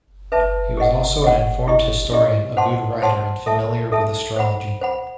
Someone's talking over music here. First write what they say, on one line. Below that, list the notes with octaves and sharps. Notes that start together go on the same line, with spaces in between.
He was also an informed historian, a good writer and familiar with astrology.
B4 E5 A5
G4 D#5 F#5
G4 D#5 F#5
E4 G4 D#5
E4 G4 D#5
C5 F#5 A5 C6
C5 F#5 A5 C6
A4 E5 A5
A4 E5 A5
C5 F#5 B5
C5 F#5 B5